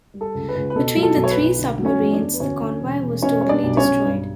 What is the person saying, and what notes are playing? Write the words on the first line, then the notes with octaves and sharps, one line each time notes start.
Between the three submarines, the convoy was totally destroyed.
G3
A4
C#2
B4
C#2
B4
B2 A4
F#3
A4
B1
C#5
B4
B1
D3
F#3
C#4 C#5
E2
D4 D5
E2
B4
D2 C#4 C#5
D3
E1
E1
B2 C#4 C#5
G3 C#5
D4 D5
B1
C#4 C#5
B1
G2